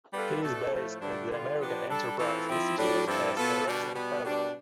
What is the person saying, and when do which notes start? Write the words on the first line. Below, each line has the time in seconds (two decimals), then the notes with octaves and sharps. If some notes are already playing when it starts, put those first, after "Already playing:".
He is based at the American Enterprise Institute as a resident fellow.
0.12 G3 B3 D4 F4 A4
0.42 B2 A3 D4 A4
0.71 A2 F3 A3
1.00 G2 D3 A3 D4
1.30 D3 G3 B3 F4
1.58 F3 B3 D4 G4
1.88 G3 D4 A4
2.18 E3 A3 C4 F4 A4
2.47 F3 C4 E4
2.76 A2 G3 D4
3.05 G2 F3 C4 E4 A4
3.35 B2 B3 F4 A4
3.65 B2 G3 D4
3.94 B2 G3 B3
4.23 B2 G3 D4